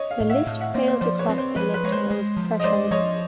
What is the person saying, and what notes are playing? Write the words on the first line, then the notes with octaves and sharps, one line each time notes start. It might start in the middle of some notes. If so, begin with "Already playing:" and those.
The list failed to cross the electoral threshold.
Already playing: C#5 D#5
D#5 F5
A2
E5 F#5
A2
E5 F#5
A#3 C5 D5
C5
F3 C5 D5
B4 C#5
C4
C5
F3 B4
B4
G#3 C#5
C5
G#3
F3
D#5
G#3 C5 D5
F3 C#5 D#5